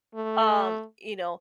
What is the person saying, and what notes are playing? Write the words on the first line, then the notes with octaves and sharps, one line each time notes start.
um, you know,
A3